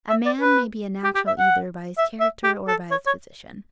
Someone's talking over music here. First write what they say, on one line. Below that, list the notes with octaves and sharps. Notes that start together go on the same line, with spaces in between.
A man may be a natural either by his character or by his position.
E5
D5
B4
G4
G4
E5
F#5
E5
E5
G4
A4
C#5
C#5